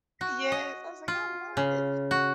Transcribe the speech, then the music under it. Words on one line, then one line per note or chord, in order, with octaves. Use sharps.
yes, I was like, "I love it."
F#4
D#5
F4
C#3
F#4